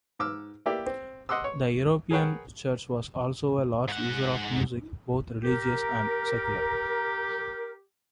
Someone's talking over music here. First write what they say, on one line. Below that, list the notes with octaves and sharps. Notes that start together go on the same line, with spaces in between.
The European Church was also a large user of music, both religious and secular.
G#2 D6 E6 F6
A#3 E4 G4 D5 E5
C4
D#5 F#5 C6 D6 E6
C#5
G#4 A#4 B4 C#5 F#5 G5
G#2 F#5
G4 A#4